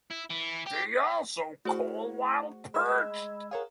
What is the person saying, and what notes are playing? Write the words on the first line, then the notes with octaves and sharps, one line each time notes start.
They also call while perched.
E4
E3
G4
A3 E4 F#4 G#4 C5
G#3 D#5 B5 E6 G#6
G#4 A#4 C#5 F5 F#5